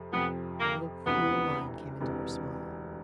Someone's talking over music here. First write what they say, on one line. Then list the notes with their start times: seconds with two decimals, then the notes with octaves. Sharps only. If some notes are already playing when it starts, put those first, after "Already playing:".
A little cruel line came into her smile.
Already playing: F2 C3 F3
0.12 F2 C3 F3 B3
0.59 A#3
1.06 E1 D2 C3 E3 B3
2.01 E1 D2 C3 E3